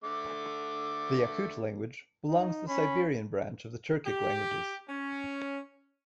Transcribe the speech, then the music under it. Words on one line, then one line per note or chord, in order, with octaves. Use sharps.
The Yakut language belongs to the Siberian branch of the Turkic languages.
D3 A3 D6
D#4
C#4 B5
G4
C#4